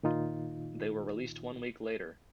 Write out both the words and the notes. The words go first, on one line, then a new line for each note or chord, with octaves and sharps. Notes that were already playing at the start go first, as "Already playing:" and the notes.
They were released one week later.
A#2 D#3 D#4 F4